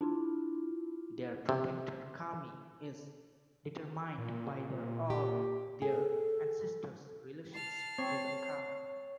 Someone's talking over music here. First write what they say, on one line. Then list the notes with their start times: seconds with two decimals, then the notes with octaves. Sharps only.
Their protector kami is determined by their or their ancestors' relationship to the kami.
0.01 D4 E4 F4
1.49 C3
4.18 A#2
5.10 G4
5.82 G#4 A4
7.54 A5 F6 C7
7.98 C4 C#5